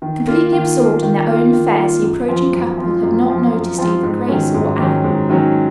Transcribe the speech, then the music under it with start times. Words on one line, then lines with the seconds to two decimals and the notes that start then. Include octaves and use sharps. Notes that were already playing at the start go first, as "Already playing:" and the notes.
Completely absorbed in their own affairs the approaching couple had not noticed either Grace or Anne.
0.02 D#3
0.27 A#3 F4
0.52 D#3
0.77 A#3 F4
1.03 D#3
1.27 A#3 F4
1.53 D#3
1.78 A#3 F4
2.02 F#2
2.28 F3 C4 F4
2.53 F#2
2.78 F3 C4 F4
3.03 F#2
3.29 F3 C4 F4
3.53 F#2
3.78 F3 C4 F4
4.03 G#2
4.28 D#3 F#3 C#4
4.54 G#2
4.79 D#3 F#3 C#4
5.04 G#2
5.30 D#3 F#3 C#4